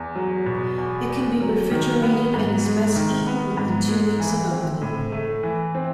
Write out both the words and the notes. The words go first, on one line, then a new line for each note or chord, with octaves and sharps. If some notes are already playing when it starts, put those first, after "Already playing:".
It can be refrigerated and is best eaten within two weeks of opening.
Already playing: E2
F#3
B2
E2
E2
F#3
D#3
B3
G#2
G#3
D#3
B3
G#2
G#3
E3
C4
A2
A3
E3
C4